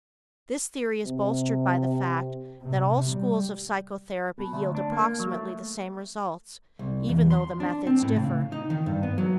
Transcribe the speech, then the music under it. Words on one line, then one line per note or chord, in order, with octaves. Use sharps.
This theory is bolstered by the fact that all schools of psychotherapy yield approximately the same results even though the methods differ.
C3
C3
G3
B2
D2
D4
A#3
F#3
A3
C2
E2
C6
D4
C4
A2
C#3
D#4
D#3
G2
B3
F#3